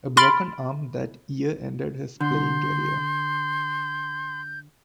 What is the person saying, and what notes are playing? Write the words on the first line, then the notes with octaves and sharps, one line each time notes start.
A broken arm that year ended his playing career.
B5 C6 F6 A6 D7
D3 C6 G6